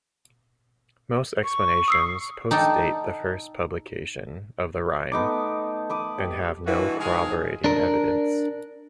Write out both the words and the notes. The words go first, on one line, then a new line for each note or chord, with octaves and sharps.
Most explanations post-date the first publication of the rhyme and have no corroborating evidence.
C#6
D#6 E6 C7
D#4 A4 D5 G5
A3 B3 D#4 D6
B4 D6 D#6
G4
G2 B2 E3 F4 F#4
D#3 F3 G#3 G#4
D4 A#4